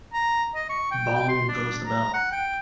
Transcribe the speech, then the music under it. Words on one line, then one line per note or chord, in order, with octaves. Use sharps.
Bong goes the bell.
A#5
D#5
C#6
G5
G5
C6
D4
A#5
F#5
G5